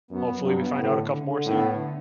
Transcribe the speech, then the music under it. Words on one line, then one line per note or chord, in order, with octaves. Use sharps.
hopefully, we find out a couple more soon.
F#2 B3
F#3
G2
B3
A2 D3
D3
D3
A2 B3
D3